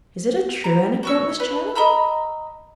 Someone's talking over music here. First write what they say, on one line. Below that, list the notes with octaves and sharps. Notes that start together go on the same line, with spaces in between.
"Is it a true anecdote, Miss Channing?"
A#5
F#4 C#5 E6
B4
D#5 A#5 B5 E6